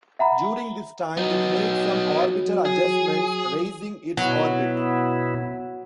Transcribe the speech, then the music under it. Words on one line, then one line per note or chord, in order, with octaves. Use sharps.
During this time it made some orbital adjustments, raising its orbit.
E5 F#5 A#5 B5
F#3 B3 D#4
G#4
B2 F#3 B3 E4